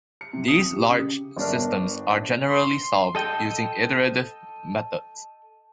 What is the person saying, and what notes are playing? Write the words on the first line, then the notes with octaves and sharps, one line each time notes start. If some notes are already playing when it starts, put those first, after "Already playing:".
These large systems are generally solved using iterative methods.
C#7
C3
D#6
G4
C#3
G1 D4 A#4
C6
A4 D#5 G5